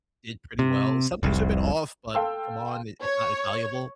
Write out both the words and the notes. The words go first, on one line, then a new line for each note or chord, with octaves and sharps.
did pretty well, some things were a bit off, but come on, i it's not infallible,
C3
F1 C2
A4 F5 G5 A5 C6 E6
C#5